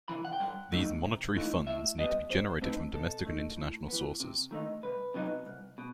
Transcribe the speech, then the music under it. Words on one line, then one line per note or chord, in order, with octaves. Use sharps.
These monetary funds need to be generated from domestic and international sources.
C3 E3 B5
F#5
G5
G2 F#5
F#3 A3 D#4
C3
E3 A3 D#4
A2 E5
G3 B3 D#5
B2 C5
A3 C4 D#4 B4
B2 A4
A3 D#4
A2
E3 B3
C3
D#3 A3 D#4
C2 B4
C3 F#3 B3 D#4
C2
B2